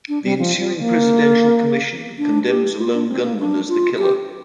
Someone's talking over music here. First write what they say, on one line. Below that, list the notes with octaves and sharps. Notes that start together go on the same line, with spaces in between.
The ensuing presidential commission condemns a lone gunman as the killer.
D4
G3
F3
G3
A#3
D4
G4
F4
D4
C4
A#3
D4
F4
G4